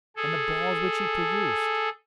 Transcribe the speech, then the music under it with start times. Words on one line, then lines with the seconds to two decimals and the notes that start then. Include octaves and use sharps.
And the balls which he produced!
0.16 G#4 A4